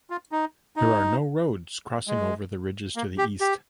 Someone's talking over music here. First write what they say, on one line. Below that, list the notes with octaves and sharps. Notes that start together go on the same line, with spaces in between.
There are no roads crossing over the ridges to the east.
F4
D#4
D#4
G#3
A#3
G4
G4